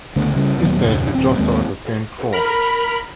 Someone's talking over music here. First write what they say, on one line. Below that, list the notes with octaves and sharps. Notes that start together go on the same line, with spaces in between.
He says we jostle at the same trough.
C#2 D3 A3 B3
C#3 G3 C#4
D#1 D#2 F#3 B3
E1 C#2 G#2
D1 C4
D#2 G#3 A#3 C4
A#4 B5 F6